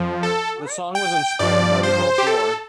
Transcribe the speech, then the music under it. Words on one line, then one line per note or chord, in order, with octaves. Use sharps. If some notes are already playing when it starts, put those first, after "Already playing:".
The song was inspired by the Gulf War.
Already playing: F2 F3
A4
G5
G2 F3 D5
C5
G4
A4